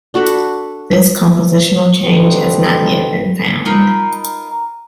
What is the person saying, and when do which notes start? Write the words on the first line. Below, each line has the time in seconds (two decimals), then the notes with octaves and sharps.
This compositional change has not yet been found.
0.14 D4 F#4 A4 B5
2.03 B2 D3 C4 D#4 G4 B4
3.65 D#4 F4 A#4 B4